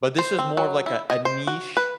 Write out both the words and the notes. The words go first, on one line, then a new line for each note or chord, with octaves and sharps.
but this was more of, like, a a niche
C5
C4
F#3
E4
D#5
C5
F#4
B4